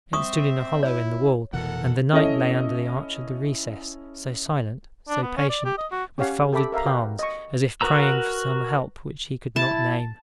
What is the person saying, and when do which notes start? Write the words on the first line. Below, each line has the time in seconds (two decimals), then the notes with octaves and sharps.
It stood in a hollow in the wall, and the knight lay under the arch of the recess, so silent, so patient, with folded palms, as if praying for some help which he could not name.
0.13 C4 E5 C#6 D#6
0.83 E4 C#5
1.53 F1 B2 E3 A4 A#4 F#5
2.13 C#4 E4 A4 D#5
5.09 D4
5.22 B3
5.37 C#4
5.49 D5
5.65 G4
5.78 D#5
5.92 F#4
6.18 C#4 G4 C#5 F5 F#5
6.53 G4 A4 E5 B5 D6
6.72 A#4 E5 F5 A#5
6.85 F#4 B4 D5 F5 G5
7.19 D#5 C#6
7.81 F#4 A#4 B4 A#5 E6
9.56 E4 A5